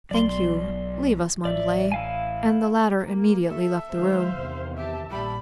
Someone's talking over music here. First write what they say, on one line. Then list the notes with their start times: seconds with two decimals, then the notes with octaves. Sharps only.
"Thank you; leave us, Montalais," and the latter immediately left the room.
0.11 B1 F#3 D5 C6
1.45 A1 D5 E5
1.92 E4 F5 G#5
3.03 A#3
3.49 A4 E5
3.92 D#3 G#3 C5 F5
4.31 E2 C3 D#3
4.77 G4 E5 A5
5.10 A#1 G3 B5